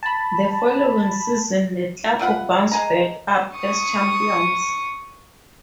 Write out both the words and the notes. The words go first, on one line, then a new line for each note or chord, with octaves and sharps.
The following season the club bounced back up as Champions.
A5 B5
C3 F4 F#5 B5
G#3 G#5 A#5
C#6 D#6